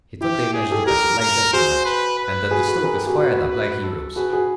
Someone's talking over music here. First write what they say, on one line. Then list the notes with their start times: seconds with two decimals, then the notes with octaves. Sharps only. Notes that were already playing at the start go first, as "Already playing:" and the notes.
He thought they managed the vessel like gentlemen, and that the stokers fired up like heroes.
0.21 E4 G4
0.54 G#4
0.71 G4 A4
0.86 G4 A4 A#4
1.20 A#4
1.53 F#4 G#4 C5
1.85 B4
2.19 B4
2.51 F#4 G#4
2.68 F#4 G#4
2.84 G#4 A#4
2.95 G4 A4
3.07 F#4 G#4
3.17 F#4 G#4 B4
3.50 B4
3.83 A4
4.16 F#4 G#4 B4
4.33 F#4 G#4